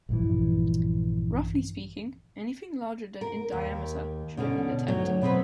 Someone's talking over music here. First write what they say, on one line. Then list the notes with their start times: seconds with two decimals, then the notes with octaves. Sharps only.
Roughly speaking, anything larger than in diameter should have been detected.
0.09 A#1 G2 E3
3.21 A#4
3.52 D#2
4.37 B2 D3 C#4
4.88 D2 F#3 F#4 C#5
5.22 B2 B3 C4 B4